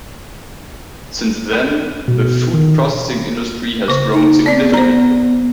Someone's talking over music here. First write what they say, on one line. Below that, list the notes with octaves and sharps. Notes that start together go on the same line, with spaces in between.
Since then, the food processing industry has grown significantly.
B2
D#3
C#3 C5 C#6
D#4
B3 C4 D5
B3 C5 A#5